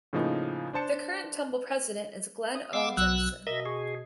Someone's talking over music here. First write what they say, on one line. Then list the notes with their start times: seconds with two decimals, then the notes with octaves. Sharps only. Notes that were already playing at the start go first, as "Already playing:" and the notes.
The current temple president is Glen O. Jenson.
0.13 A2 C#3 F3 A#3 D#4
0.73 D4 C5 A5 C#7
2.55 D#6
2.73 B3 F5 D6 E6 C7
2.97 B1 F#3 E6 F#6
3.47 B2 A#4 D#5 E5
3.65 G#4 C#6